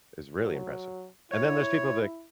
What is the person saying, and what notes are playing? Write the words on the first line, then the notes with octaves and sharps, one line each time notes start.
is really impressive. And then there's people that,
F#3
E4 C#5